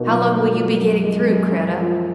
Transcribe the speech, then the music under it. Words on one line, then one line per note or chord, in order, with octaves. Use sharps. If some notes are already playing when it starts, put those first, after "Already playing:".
"How long will you be getting through, Kreta?"
Already playing: B2 A#3 D#4
F#3
A#3
F#3
F#2
G#3
F#2
F#2
F3